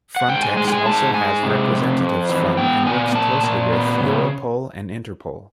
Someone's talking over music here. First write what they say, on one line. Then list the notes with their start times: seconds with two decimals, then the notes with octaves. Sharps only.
Frontex also has representatives from and works closely with Europol and Interpol.
0.16 F#5
0.28 G#2 G5
0.43 G#5
0.57 G#3 G#5
0.68 G5
0.72 G#5
0.86 G#2 A5
1.14 G#3 G#5
1.43 C3
1.72 F2
2.00 F2
2.29 E3
2.57 B3 G5
2.86 A#2 G#5
3.15 A#2 A5
3.43 A#2
3.72 B3
4.01 C#3